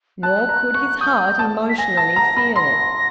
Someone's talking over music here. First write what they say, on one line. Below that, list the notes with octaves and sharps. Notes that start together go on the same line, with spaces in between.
Nor could his heart emotionally feel it.
A5 F#6
A#5
C#6
D#6 G6
A5
B6
G#5 A#6
A5
A#5
B5
C6 A#6